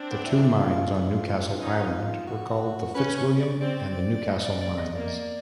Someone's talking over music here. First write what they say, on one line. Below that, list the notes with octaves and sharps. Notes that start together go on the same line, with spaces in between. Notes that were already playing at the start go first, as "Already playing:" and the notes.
The two mines on Newcastle Island were called the Fitzwilliam and the Newcastle mines.
Already playing: C4 D4
B3
E4
F4
F4
E4
F4
C#4 D#4
F#4
C#4 B4
C#5
D5
C4 D5
G3 D#5
D5
D5
D#5
A#3 D5